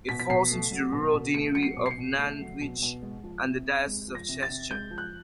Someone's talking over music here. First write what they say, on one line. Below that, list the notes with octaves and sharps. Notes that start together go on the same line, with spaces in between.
It falls into the rural deanery of Nantwich and the diocese of Chester.
B2 B6
B6
B2 C7
A3
F#3
B2
B2
A3 C#7
F#3 C#7
C7
B2
C7
C#7
B2
A3 C7
F#3
B2
B2
G#3
F3
C3
C3
G#3
F3
A#6
C3
A6
C3
G#3 G6
F3
F#6